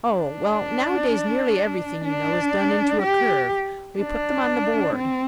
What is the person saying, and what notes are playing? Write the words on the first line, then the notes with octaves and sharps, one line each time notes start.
"Oh, well, nowadays nearly everything, you know, is done into a Curve. We put them on the board."
D4
D4
G4
D4
C4